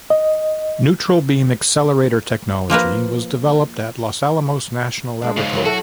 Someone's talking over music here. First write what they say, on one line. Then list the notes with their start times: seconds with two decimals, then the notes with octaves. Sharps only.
Neutral beam accelerator technology was developed at Los Alamos National Laboratory.
0.10 D#5
2.70 F3 A#3 A#4 B4
5.22 G#3 D4
5.37 G#2 C#3
5.53 E3 F#3 A#4
5.65 F#3 E4 F#4 A4